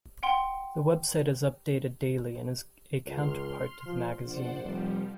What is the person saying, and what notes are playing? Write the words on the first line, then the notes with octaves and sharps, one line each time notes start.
The website is updated daily and is a counterpart to the magazine.
F#5 G5 C6
C#2 C6 F6
F3
A#1 C5 D5 F#5
F1 F3 G3